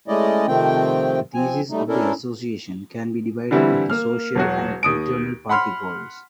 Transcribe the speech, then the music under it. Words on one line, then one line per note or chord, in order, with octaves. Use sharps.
The theses of the association can be divided into social and internal party goals.
G#3 A3 C#4 E4 D5 D#5
C3 D#3 F3 A3 C4 G5
F3 C4 G#5
G3 A3 D#4
C#4 D4 E4 A4 A#4
D3 E3 G3 C4 E4
A#3 F6
E1 F#3 F#4
D#2 D#6 D7
F#5 B5 C6 F6